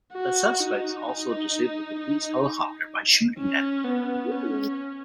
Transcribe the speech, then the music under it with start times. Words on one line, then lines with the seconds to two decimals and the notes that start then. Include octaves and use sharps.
The suspects also disabled a police helicopter by shooting at it.
0.14 F#4
0.60 D#4
1.07 D#4
1.99 D#4
3.38 C#4
3.85 B3
4.32 C#4